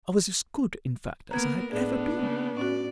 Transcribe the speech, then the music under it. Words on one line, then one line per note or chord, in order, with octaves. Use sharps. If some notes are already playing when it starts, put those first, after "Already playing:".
I was as good, in fact, as I had ever been.
A#3 B3 A#4 A#5 G#6
A2 B3 D4 G#4 D5
C#3 A#3
A2 C#4 F#4 D5